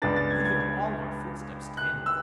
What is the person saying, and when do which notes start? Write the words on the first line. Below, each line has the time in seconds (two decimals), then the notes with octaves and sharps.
Hither all our footsteps tend.
0.02 C#2 C#3 G#3 B3 D4 A6
0.16 A6
0.31 G#6
0.45 G#6
0.60 G#6
1.77 F#6
2.06 E6